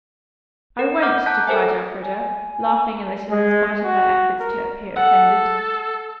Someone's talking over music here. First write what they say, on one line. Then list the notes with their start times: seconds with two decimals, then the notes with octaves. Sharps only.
"I won't," defied Elfreda, laughing a little in spite of her efforts to appear offended.
0.79 A#4
1.02 F#5 D6 F6 G6
1.26 A5 A#5 F#6 G6 B6
1.47 A4 A#4 C5 E5 G#5
2.01 G#5
3.30 G#3
3.84 F#4
4.40 A#4
4.96 A4 F#5